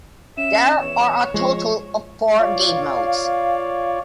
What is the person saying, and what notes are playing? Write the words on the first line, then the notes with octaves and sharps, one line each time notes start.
There are a total of four game modes.
C#4 E5 E7
E2 C#5 E7
F3 G#3 C#6
F4 C#5 D5 F5